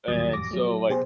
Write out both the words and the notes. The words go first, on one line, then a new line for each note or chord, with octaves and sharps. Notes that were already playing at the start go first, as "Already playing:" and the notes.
And so, like,
A1 D#2 F#3 G3 D#6 A6
A1 F2 D6 A#6
F#3 A3
B2 G4 G#4 C5